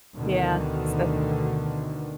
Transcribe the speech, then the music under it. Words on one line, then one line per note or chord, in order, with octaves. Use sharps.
Yeah, so
D2 B2 D3 D#3